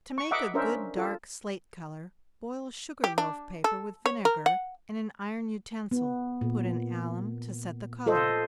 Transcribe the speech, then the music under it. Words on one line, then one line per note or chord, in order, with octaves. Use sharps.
To make a good dark slate color, boil sugar-loaf paper with vinegar, in an iron utensil--put in alum to set the color.
C#6
D#5 E5 F#5 A#5 D6
C#4 D4 A#4 C5 E5
F4 A4
G4
D4
A4
C#5
A#4
F#5
B3
A#2
F4 A4 C5 D#5